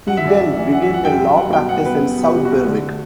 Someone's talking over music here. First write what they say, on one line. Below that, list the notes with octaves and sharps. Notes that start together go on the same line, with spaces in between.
He then began a law practice in South Berwick.
F#2 F#5
E5
F#2 D5
F#2 E5
E3
E3 F#5
E5
F#2
F#5
F#2 G5
F#2
G3 F#5
B2 G5
B3 F#5
B2 B4
B2
B2
G4
G3
F#4
B1
D3